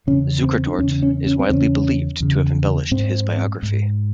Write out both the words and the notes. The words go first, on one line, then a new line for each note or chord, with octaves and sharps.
Zukertort is widely believed to have embellished his biography.
E2 C#3 C#4
C4
D4
E2 C#3 C#4
C#4
C#4
C4
E2 C#3 C#4
E2 C#3
G#2 C4
G#2